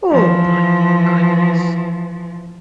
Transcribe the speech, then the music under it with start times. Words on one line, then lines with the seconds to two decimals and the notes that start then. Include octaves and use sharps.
Oh, my goodness.
0.11 E3 F3